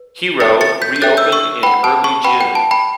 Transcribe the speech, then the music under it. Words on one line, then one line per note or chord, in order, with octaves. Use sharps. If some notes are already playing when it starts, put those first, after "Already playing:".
Hero reopened in early June.
Already playing: B4
A4 C#5 E5 G5 A6 C#7
A6 C#7
G6 B6
G6
A4 C#5 E5 G5 F#6 A6
E6 G6
C#6 E6
B4 F#5 G5 B5
A5
A5 C#6
B4 F#5 G5 B5
G5
A5
G5 B5